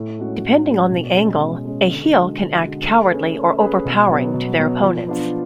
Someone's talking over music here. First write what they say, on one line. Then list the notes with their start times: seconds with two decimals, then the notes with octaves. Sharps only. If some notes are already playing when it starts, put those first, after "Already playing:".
Depending on the angle, a heel can act cowardly or overpowering to their opponents.
Already playing: A2
0.19 G#3 C#4 F#4
0.43 A2
0.67 G#3 C#4 F#4
0.91 B2
1.16 G#3 C#4 G#4
1.40 B2
1.65 G#3 C#4 G#4
1.90 D3
2.14 G#3 D4 F#4
2.38 D3
2.62 G#3 D4 F#4
2.87 A3
3.11 C#4 G#4 B4
3.36 A3
3.60 C#4 G#4 B4
3.85 B2
4.09 F#3 B3
4.34 B2
4.58 F#3 B3
4.83 F3
5.07 B3 D4 F4